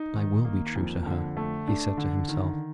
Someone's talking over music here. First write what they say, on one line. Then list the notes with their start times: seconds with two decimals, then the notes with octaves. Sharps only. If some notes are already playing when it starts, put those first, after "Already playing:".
"And I will be true to her," he said to himself.
Already playing: D#4
0.15 D#3
0.44 A#3
0.76 F2
1.06 D3
1.37 A3
1.68 D4
1.97 D3
2.28 D#3